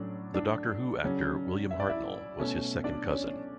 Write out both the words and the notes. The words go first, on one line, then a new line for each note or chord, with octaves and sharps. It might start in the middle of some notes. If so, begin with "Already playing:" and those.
The Doctor Who actor William Hartnell was his second cousin.
Already playing: A2 F#3 A3 C#4 D4 D5
D4 D5
C#3 F#3 C#4
E5
D5
E4 E5
B2 A3 C#4
D4 D5
C#4 C#5